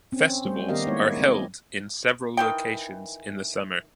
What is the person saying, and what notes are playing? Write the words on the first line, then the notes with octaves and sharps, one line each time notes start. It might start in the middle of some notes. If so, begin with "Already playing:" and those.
Festivals are held in several locations in the summer.
C4 C#4
G3 A3 C5
D#3 B3 G4 A#4 D#5 F5
G#3 A#3 D#4 E4 C#5
C4 D#5
D#3 E3 G5